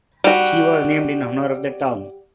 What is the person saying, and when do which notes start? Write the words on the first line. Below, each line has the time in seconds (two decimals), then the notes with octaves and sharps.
She was named in honour of the town.
0.24 G3 F#4